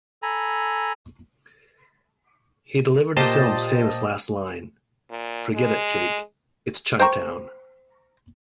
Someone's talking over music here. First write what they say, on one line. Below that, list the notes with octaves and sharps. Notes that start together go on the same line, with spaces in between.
He delivered the film's famous last line, Forget it, Jake, it's Chinatown.
A4 G#5 A#5 B5
A#2 G4 C5 D#5 A5
A#2
G#3
C5 G5 A#5 C#6